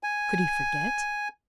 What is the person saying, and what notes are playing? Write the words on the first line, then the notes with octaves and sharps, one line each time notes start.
Could he forget?
G#5